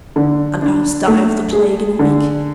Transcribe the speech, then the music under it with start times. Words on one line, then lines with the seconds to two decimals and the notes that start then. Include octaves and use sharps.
"And perhaps die of the plague in a week."
0.16 D3
0.62 D4
1.08 A3
1.53 G#4
1.99 D3